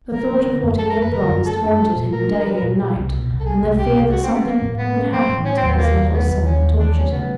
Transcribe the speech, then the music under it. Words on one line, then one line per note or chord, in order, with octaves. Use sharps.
The thought of what he had promised haunted him day and night, and the fear that something would happen to his little son tortured him.
F3 A#4
A#3
D3
F#2
F3 A4
A#4
A#3
B4
D3 A#4
F#2
A3 A4
D4
F3
A#2
A3 A#4
D4
A#4
F3 B4
A#4
A#2
G3
C2
B2
C2
A4
G3 G#4
C2
B2 G4
C2
G#3 F#4
C4
C#4
B3
F3 A#3
A2
G#3 B3
C#4
F3 C4
A2
F#3 C#4
C4
D#2
B3
D#3 A#3
D#2
F#3 B3
D#2
D#3 C#4
D#2
E3 D4
A3 C#4
C#3 B3